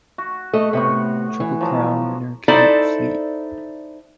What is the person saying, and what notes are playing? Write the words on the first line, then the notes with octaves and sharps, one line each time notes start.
Triple Crown winner Count Fleet.
F#4
A3 D#5
A2 C3 B3 F#5 C#6
E3
F3 F#3
D#4 E4 A4 C5 D5